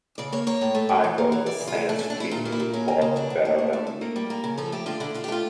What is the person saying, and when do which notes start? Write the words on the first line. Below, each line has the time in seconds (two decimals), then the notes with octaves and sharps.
I got the sense he knew "both" better than me.
0.18 C#3 D5
0.32 A#3 C#5
0.47 A#3 C#5
0.61 A2
0.75 A3
0.89 A2
1.04 E3
1.18 A#3
1.32 E3
1.46 E3 D5
1.61 C#3
1.67 F4
1.75 A3
1.89 A3 D4
1.99 C#4
2.02 A3
2.10 D4
2.16 A3 E4
2.31 A#2 F4
2.45 A#3
2.52 E4
2.60 A#2
2.73 A#3 C#4
2.88 A#3
3.01 C#3
3.16 E3 D4
3.30 A2
3.45 A#3
3.58 A3
3.73 A3
3.87 A3
4.01 A#3
4.16 G3
4.30 A#3
4.44 C#3
4.58 F3 A4
4.72 A3 G4
4.86 D3 F4
5.00 D3 E4
5.15 D3 F4
5.24 G4
5.28 A3 F4